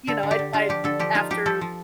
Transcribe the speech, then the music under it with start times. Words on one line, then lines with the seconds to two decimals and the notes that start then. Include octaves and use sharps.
you know, I'd I'd after
0.07 D3 A4
0.23 D3
0.31 G4
0.39 D3
0.53 D3 F4
0.69 F3 G4
0.84 D3 A4
0.99 F3 G4
1.15 D#4 F4
1.30 F3 G4
1.46 F3 A4
1.61 F3